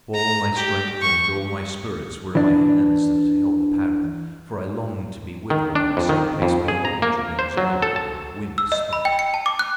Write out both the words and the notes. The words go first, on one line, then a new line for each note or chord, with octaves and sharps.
All my strength and all my spirit were in my hands that held the paddle--for I longed to be with her in a safe place beyond the reach of men's anger and of women's spite.
A#5
G4
C#6
E3 D4
D#3
D4
F2
D#3
F2
G#4
A#5
A#3
C5
F#3
A4
A5
E6
D#5
B5
G5
C#7
A5
D6
F#6